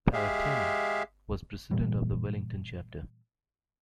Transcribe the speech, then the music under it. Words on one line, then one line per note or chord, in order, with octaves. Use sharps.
Paratene was President of the Wellington chapter.
G#3 G4 G#4 E5 F5
A#2 E3 G3